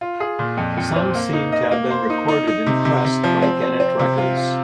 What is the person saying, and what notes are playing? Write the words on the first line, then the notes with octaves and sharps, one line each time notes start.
Some seem to have been recorded and pressed by Gennett Records.
F4
G#4
A#2
F2
F2
C4
A#3
D#4
D#5
A#3
C5
D#4
D#4
D#4
C3
C3
C3
F3
C4
C4
C4
C3
F4
F4